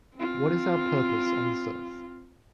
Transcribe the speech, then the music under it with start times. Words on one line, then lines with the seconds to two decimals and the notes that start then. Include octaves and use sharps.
What is our purpose on this earth?
0.16 C4 F4